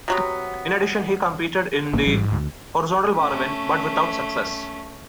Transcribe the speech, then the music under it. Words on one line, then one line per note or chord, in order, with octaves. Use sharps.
In addition, he competed in the horizontal bar event, but without success.
C3 F#3 B3
A1 G#2 A#3
A1 E3 G3
D2
A3 C#4